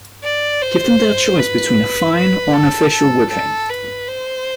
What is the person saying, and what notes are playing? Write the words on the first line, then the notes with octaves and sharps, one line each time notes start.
Give them their choice between a fine or an official whipping.
D5
C5
B4
B4
A4
A4
A4
B4
C5